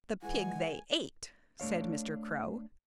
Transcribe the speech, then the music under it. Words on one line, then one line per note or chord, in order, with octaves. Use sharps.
"The pig they ate," said Mr. Crow.
E3 G#3 F#5 G#5
A3 D4 C#5 F5